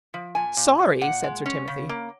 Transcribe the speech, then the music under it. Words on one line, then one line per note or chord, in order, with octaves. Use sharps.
"Sorry!" said Sir Timothy.
F3
A#2 G#5
A#2
A#2
A#2 F#5
G#3
C#4
C#3
A#3